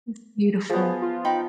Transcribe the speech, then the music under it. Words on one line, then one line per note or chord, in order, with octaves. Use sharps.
It's beautiful.
F3 B3 G#4
F4
D#4 G5 B5